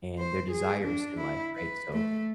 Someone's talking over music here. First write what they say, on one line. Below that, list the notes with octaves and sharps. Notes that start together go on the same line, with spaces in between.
and their desires in life, right, so,
C5
G#4
D4
E4
B4
A3